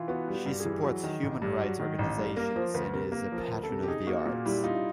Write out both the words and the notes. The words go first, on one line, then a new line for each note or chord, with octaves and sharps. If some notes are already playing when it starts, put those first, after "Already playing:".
She supports human rights organizations and is a patron of the arts.
Already playing: E3 E4 F4
B3 F#4
G3
G4
G2
G#4
E3
F#3
D#3
A1
G2
F#3
D#3
A1
G2
A#3 A#4
F3 C5
D2 B4
C3 A#4
A#3
F3
A#4
D2
A4
C3
G4
D#4 G#4
A#3 F#4
A#2
G3 E4
D#4 F4
F4